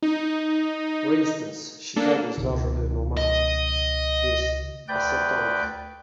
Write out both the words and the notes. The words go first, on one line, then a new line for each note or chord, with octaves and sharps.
For instance, "Chicago is larger than Omaha" is assertoric.
D#4
A#3 D4 A4
C#2 B2 D#3
D#5
D2 B4 D5 G5 G6